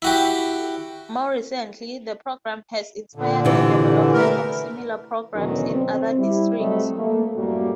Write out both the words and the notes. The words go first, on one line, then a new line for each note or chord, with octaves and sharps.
More recently, the program has inspired the development of similar programs in other districts.
E4 F#4 G4
A#2 D3
C3 E3
A3 B3 A#4
E2 B2 D3 D#3 F#3 C#4
C4
G3 E4
C3 F#3 G3 A3 C4 D#5
A3 A#3
F#2 A2 G3 A3 A#3 F#4